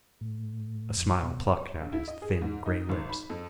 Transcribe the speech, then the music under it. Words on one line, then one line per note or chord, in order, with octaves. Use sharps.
A smile plucked at his thin, gray lips.
A2
F2
B2
C#5
A#1
E4
D#5
G#4
G#2
D#4
G#1
B5
F2